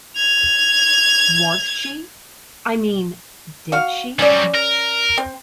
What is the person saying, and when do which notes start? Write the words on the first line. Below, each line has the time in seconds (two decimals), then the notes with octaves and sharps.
Was she? — I mean, did she?
0.17 G#6 F7
3.72 F#4 F5
4.19 F#3 G3 C#4 D5
4.54 A#4
5.18 C4